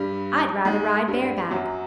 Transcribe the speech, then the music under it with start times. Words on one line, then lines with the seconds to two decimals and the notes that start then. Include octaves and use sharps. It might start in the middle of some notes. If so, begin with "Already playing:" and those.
I'd rather ride bareback.
Already playing: G2 G3
0.65 G#2 G#3
1.08 G2 G3
1.51 F#2 F#3